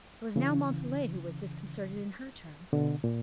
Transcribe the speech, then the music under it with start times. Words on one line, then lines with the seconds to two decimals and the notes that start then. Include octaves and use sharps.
It was now Montalais who was disconcerted in her turn.
0.36 C#3 E3
2.73 B2 D3
3.04 A#2